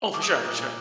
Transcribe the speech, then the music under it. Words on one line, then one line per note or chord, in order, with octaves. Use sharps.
Oh, for sure, for sure.
G3 D6
D#6
A#3 D6
A#2
A#2